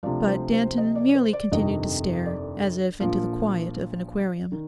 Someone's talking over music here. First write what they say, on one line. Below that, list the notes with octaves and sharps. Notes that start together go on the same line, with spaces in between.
But Danton merely continued to stare, as if into the quiet of an aquarium.
D2 C3 F3 D5
C5
C5
D#5
D5
C5
D5
G1 F2 C3 D#3 D#5
D5
A#1 A#2 F3
D#3